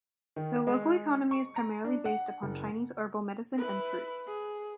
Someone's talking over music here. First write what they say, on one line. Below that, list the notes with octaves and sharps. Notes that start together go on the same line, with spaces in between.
The local economy is primarily based upon Chinese herbal medicine and fruits.
D#3
G#3
C#6
A#5
D4
F#5
F#1
E4 B4
G#4